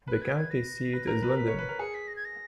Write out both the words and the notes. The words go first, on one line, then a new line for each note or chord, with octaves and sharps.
The county seat is Linden.
B4 F#6
G#6
G#6
A#6
B4
A#4
B4
A#4
B4 B6
C#5
B4
A#4
G#4 C#7
B6
A#6
G#6
A#6